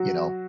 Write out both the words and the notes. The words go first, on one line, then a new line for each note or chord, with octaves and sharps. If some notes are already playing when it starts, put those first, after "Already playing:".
you know,
Already playing: F#3 F#4